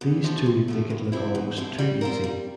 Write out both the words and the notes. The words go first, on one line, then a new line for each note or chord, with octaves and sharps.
These two make it look almost too easy.
E2
C3 F3 A3
E2
C3 F3 A3
E2
C3 F3 C4 E4
E2
C3 F3 C4 E4
G3
C4 F4 A#4
G3